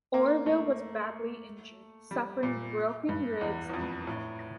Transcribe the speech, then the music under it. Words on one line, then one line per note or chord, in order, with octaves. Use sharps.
Orville was badly injured, suffering broken ribs and a leg.
A#3
A3
G3
A#2
G2
E2
E2
F2
A2